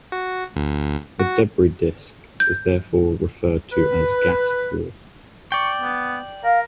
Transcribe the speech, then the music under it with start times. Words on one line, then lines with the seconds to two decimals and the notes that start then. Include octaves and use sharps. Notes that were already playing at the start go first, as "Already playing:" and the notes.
The debris disk is therefore referred to as "gas-poor".
0.12 F#4
0.56 D2
1.19 F#4
2.40 G6
3.72 B4
5.52 D5 G5 C#6
5.79 B3
6.44 A#4 F5